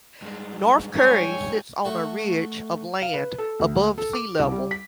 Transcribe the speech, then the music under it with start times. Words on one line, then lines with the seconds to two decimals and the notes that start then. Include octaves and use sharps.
North Curry sits on a ridge of land, above sea level.
0.22 G2 G#3
0.97 C#5 G5 G#5
1.85 A3 F#4
3.02 F5
3.14 B4
3.38 A4
3.59 D2
3.98 A4
4.13 D6
4.39 C2
4.52 G3
4.71 B6